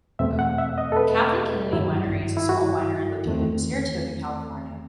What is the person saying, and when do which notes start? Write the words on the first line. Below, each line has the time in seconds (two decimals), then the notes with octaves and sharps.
Kathryn Kennedy Winery is a small winery located in Saratoga, California.
0.19 E2 B2 A3 C4 E5
0.39 F#5
0.58 E5
0.78 D#5
0.92 A4
0.97 B4
1.73 G2 D#3 F#3 E4
2.37 E4
2.49 F#4
3.26 E2 D#3 A3 C4